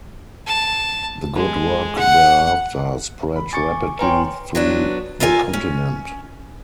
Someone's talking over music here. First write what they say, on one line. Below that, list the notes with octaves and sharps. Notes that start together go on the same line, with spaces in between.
The good work thereafter spread rapidly through the continent.
A5
G#3
F#5
B5
G#5 C#6 D6 A6 C#7
B4 C#5 G5 G#5 A#5 C6
F#3 B3 D4
F4 A4 A#4 D5 G#5
C#4